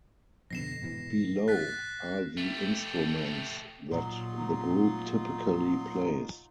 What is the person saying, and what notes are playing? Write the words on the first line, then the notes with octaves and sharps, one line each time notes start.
Below are the instruments that the group typically plays.
F2 B2 D3 A#6 C7 E7
G#2 B2 E3
F#6 A6 B6
A3 G4
A#2 F#3 D#4 F4 C6